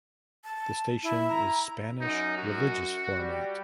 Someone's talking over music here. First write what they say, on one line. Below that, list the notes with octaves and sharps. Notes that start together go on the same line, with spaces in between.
The station is Spanish religious format.
A5
E4
A#5
F#2 D#4
F#4
G3